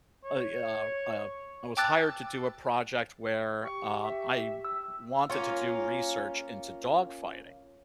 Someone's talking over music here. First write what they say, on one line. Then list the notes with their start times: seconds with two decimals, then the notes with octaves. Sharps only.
a, uh, uh I was hired to do a project where, uh, I w wanted to do research into dogfighting,
0.25 C#5
1.77 G5 A5 D6 E6 F#6 A6
3.64 G4 C#6
4.03 E5
4.65 E6
5.30 A#3 C#4 F4